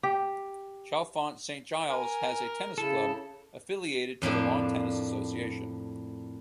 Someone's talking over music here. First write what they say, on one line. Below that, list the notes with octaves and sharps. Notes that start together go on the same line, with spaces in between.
Chalfont Saint Giles has a tennis club, affiliated to the Lawn Tennis Association.
G4
A#4 G#5
C#3 E4 A4
F2 A2 A#3 D4